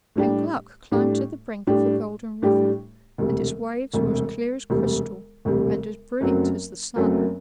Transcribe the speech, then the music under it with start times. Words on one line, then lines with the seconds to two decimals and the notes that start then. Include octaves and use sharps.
And Gluck climbed to the brink of the Golden River, and its waves were as clear as crystal and as brilliant as the sun.
0.16 A2 G3 D4 G4
0.92 A2 G3 D4 G4
1.67 A2 G3 D4 G4
2.42 A2 G3 D4 G4
3.18 E1 D2 C3 G3
3.94 E1 D2 C3 G3
4.70 E1 D2 C3 G3
5.45 E1 D2 C3 G3
6.21 F#1 F#2 F#3 A3 C4
6.96 F#1 F#2 F#3 A3 C4